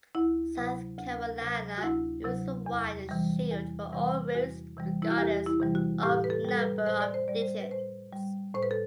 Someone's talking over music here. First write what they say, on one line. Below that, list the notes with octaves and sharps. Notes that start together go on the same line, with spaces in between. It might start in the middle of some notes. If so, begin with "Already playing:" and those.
South Carolina uses a wide shield for all routes, regardless of number of digits.
D2 E4
C3 F#3
D2
C3 F#3
F#4
D2 E4
C3 F#3
E2
C3 E3 G3
E2
C3 E3 G3
E2 F#4
C3 E3 G3
E4
F#4
E2 G4
E4
C3 E3 G3
F#4
A2 G4
B4
A4
G3 A4
B4
A2 C5
D5
C5
G3 D5
C5
B4
A2 C5
G3
A2 C5
B4
A4